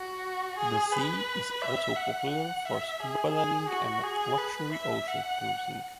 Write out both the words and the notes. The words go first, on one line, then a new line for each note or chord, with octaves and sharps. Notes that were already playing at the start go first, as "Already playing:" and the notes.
The sea is also popular for scuba diving and luxury ocean cruising.
Already playing: F#4
G#4
B4
E5
F#5
E5
G#4
G#4
F#4
G#4
B4
E5
F#5